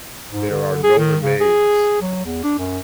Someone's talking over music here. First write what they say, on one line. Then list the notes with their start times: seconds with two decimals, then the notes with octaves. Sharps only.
There are no remains.
0.31 G#2
0.51 D3
0.83 G#4
0.99 D#3
1.23 C#3
1.41 G#4
2.02 F#3
2.25 E2
2.44 D4
2.59 F#2